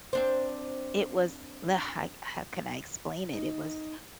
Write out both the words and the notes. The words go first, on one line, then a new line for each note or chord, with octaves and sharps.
it was the how how can I explain it? It was
C4 D4 C5
D#4